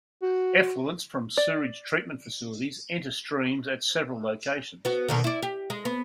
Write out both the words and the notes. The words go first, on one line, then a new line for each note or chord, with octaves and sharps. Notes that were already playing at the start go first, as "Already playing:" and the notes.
Effluents from sewage treatment facilities enter streams at several locations.
F#4
D5
B3 F#4
B2 D3 D#3
E4 D5
G4
G#3
B3